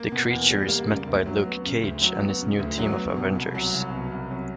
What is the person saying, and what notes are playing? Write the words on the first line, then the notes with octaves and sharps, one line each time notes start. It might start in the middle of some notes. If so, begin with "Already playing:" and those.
The creature is met by Luke Cage and his new team of Avengers.
Already playing: A#3
B2
E2
G3
A#3
C#3
D2
F#3
B3
C#3
D2
F#3
B3
C#3
D2
F#3
B3
B2
C2
F#3
C2
B2
C2
F#3